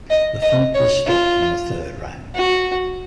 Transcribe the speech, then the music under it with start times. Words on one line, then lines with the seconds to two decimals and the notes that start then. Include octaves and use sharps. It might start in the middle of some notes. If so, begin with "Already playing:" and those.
The fight was stopped in the third round.
0.10 D#5
0.42 D#5
0.74 C#5
1.06 F4
2.35 F#4